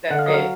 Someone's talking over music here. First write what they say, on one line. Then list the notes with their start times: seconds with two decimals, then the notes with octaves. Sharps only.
that's it."
0.10 D3 F#5
0.19 F5
0.26 F#3 D#5
0.34 F5